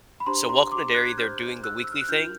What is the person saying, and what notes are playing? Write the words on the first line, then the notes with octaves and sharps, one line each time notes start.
So, Welcome to Derry, they’re doing the weekly thing.
B5
D4 G4 C5 A#5 C6
A#5 C6
C6 D6
F#6 G#6
D4 G4 C5 F6 G6
E6 F#6
E6
F6
F#6
D4 F4 A#4 F6 G6